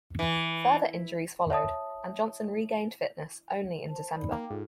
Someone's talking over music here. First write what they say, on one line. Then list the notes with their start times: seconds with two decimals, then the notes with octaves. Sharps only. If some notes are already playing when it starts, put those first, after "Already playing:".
Further injuries followed, and Johnson regained fitness only in December.
0.19 E3
1.50 C#5 E5 A5 D#6
3.89 C5 A5
4.15 D#4 D5 B5
4.32 A#3 F5 G5 D6
4.50 G#2 F4 A4